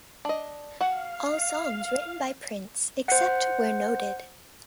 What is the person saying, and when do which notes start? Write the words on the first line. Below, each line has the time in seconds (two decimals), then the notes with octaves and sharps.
All songs written by Prince except where noted.
0.25 D4 D#5
0.81 F#4 F5 F#5
3.08 C5 F#5